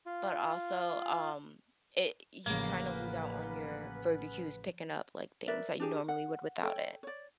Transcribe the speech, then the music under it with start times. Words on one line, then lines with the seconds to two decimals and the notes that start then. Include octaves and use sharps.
but also, um, it you've trying to lose out on your verbal cues picking up, like, things that you normally would without it.
0.06 F4
2.46 A1 C#3 F3 A#3 B3 C#4 B4
5.47 A#4 B4 D5 E5
5.80 D4 G4 G#4
6.08 F#5
6.63 A4 C#5 G5
7.03 C#5 D5